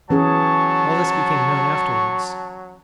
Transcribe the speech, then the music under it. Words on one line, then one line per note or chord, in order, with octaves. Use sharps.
All this became known afterwards.
E3 F#3 C#4 G#4 A5 C#6